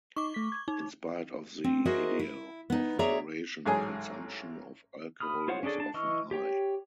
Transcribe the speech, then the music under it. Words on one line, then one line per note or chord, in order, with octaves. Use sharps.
In spite of the ideal of moderation, consumption of alcohol was often high.
D#4 C#6 D6
A3 B6
G#6
D#4
C4
F#4 G#4 A#4 C5 D#5 E5
E4
B3 D#4
G#4 C#5 D5 E5 A#5
A1 G#2 F#3 G#4 G#5
B5 D#6 F6
F4 C5 C#5 F5 F#5
C#4 D4 G#4 A4 D5
D4 A5
E3 D#5 C#6 E6 F6
G4 C#5 G5